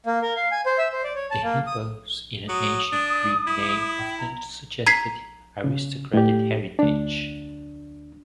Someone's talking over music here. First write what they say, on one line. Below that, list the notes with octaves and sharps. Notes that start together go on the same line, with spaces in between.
The "hippos" in an ancient Greek name often suggested aristocratic heritage.
A#3
A#4
F5
G#5
C5
E5
C5
D5
C#5
A5
A#3
D#6
F#3 D#6
D4
E4
G5
A#5
A#5 G#6 B6 C7
C#3
A2 G4
D2 D4